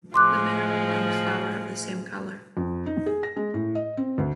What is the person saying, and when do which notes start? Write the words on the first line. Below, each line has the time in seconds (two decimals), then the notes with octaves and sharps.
The mineral and the flower have the same color.
0.14 A2 F3 G#3 C6 D6 F#6
2.57 F2
2.86 D#4
3.06 G#4
3.23 A#6
3.36 G#3
3.54 A2
3.75 D#5
3.97 C4
4.18 D2